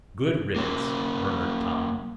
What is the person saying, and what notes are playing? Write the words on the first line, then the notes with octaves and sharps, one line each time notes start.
"Good riddance," murmured Tom.
A#3 C#4